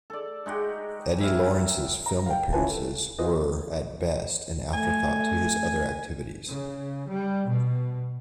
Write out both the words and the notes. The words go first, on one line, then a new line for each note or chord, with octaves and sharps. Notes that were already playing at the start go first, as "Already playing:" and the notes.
Eddie Lawrence's film appearances were, at best, an afterthought to his other activities.
A4 D5
G#3 D#4 F#4 G4
E4 A#4
A#5
F5 G5
C#4 E4 F4 B4 G#5 A5
A4
F4 F#4 G#4 B4 C5 D#5
A3 G#5
C#3
G3
B2